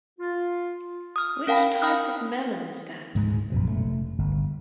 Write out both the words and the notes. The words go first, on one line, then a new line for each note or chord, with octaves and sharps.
Which type of melon is that?
F4
D#6 F6
C#4 A#4 F5 G5 A5 B5
F5 G5 B5 D#6 F6 F#6
D2 G#2 G#3
A#1 F#2 B2
F1 A3
G1